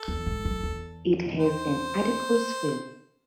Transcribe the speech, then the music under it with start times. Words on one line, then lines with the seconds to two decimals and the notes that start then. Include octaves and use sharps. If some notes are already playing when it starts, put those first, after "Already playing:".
It has an adipose fin.
Already playing: A4
0.08 E2
0.26 G#2
0.45 F#2
0.63 E2
1.39 C5